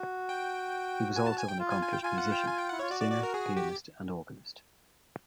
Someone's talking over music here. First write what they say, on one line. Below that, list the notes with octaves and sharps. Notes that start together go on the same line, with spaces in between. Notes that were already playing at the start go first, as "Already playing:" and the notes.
He was also an accomplished musician - singer, pianist and organist.
Already playing: F#4
G5
G#5
A5
G#5
G5
F4
G#5
G#5
G5
F4 G#5
F#5
G5
G#5
G5
E4 F#5
F4 C#5
F#4 D5
D5
D5
A#4
G#4
G4